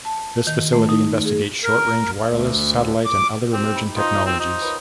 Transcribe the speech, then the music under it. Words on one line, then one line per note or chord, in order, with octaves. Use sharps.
This facility investigates short-range wireless, satellite, and other emerging technologies.
A5
D#3
A3
D#4
G#4
A#4
D2
D6
C4 G4
D#4 B5
D#4 F4 C5
C4
D#4
A#4 B4 C#5